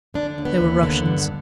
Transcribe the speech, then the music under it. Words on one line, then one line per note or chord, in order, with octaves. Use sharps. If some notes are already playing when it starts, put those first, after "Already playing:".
They were Russians.
D3 D4
D#2
B3
D#2
D3
G2